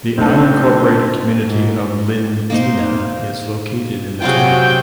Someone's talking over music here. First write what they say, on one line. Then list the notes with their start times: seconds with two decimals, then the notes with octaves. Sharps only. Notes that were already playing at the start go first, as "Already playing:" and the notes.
The unincorporated community of Lindina is located in the town.
0.18 B1 A3 C4 D4 D#4 A4
1.47 G#2
2.50 A#3 D#4 C5
4.22 C3 F#3 F4 F#4 G#4 G5